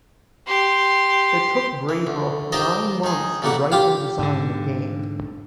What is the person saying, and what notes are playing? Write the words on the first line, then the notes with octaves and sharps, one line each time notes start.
It took Braybrook nine months to write and design the game.
G4 C6
E3
D2
F4 G4 A#4 C5 D5 D#5
D#3 G#4
A1 A#2 G3 A#3 F#5 C#6
F4 G4 F5
G#2 D3